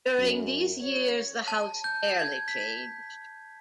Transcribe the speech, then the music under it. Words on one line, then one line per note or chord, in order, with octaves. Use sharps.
During these years, the house barely changed.
F#2
C#5
A5
G6
G#6
B6